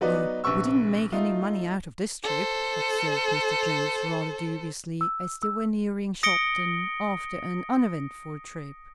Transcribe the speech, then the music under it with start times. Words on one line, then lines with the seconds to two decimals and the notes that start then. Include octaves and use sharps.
"Well, we didn't make any money out of this trip," observed Mr. Jenks, rather dubiously, as they were nearing Shopton, after an uneventful trip.
0.01 F#3 B3 D#4 F#4 B4 D5
0.44 A#1 C3 B4 C#6 E6
1.12 A3 D#4 F4
2.23 A4 C5
5.01 E6
5.43 E6
6.23 D#6 A#6 C#7 D7 G7